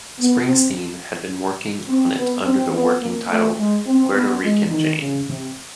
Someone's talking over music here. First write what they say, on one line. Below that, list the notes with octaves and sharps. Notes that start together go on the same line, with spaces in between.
Springsteen had been working on it under the working title Puerto Rican Jane.
B3
C4
C4
B3
C4
B3
A#3
A3
G#3
C4
B3
G#3
D#3
C#3
C3